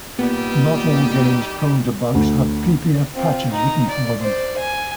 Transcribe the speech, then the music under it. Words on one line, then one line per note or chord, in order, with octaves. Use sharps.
Not all games prone to bugs have ppf patches written for them.
A#2 G3 B3 D#4 G4
D2
C4 F4
D#4 A#5
D5
C5 D5
G#5